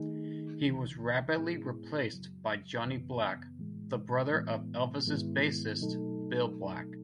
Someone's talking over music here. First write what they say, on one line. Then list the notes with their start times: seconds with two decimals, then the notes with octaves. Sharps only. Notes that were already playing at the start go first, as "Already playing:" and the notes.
He was rapidly replaced by Johnny Black, the brother of Elvis's bassist Bill Black.
Already playing: D#3 A3 D#4 G#4
0.63 C#2 C#3 E3
1.37 A2 G#3 B3 E4 G#4
2.11 F#2 C#3 F#3
2.85 F#2 C#3 E3 B3
3.59 A2 E3 G#3
4.32 A2 E3 G#3 B3
5.06 G#2 D#3 G#3 B3 E4
5.80 B2 F#3 A3 D#4 A4